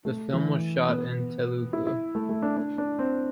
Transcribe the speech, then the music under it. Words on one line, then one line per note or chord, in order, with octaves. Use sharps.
The film was shot in Telugu.
A3
E3
B3
E4
E4
A3
A3
D4
D4
D4
C4